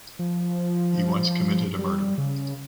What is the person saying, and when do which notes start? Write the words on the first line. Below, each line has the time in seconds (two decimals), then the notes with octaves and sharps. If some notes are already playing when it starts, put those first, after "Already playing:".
He once committed a murder.
0.19 F3
1.79 G3
2.18 C#3